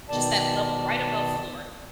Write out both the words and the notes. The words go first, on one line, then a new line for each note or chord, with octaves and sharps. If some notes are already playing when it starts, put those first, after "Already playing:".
just that level right above floor.
B2 D#3 D5 A5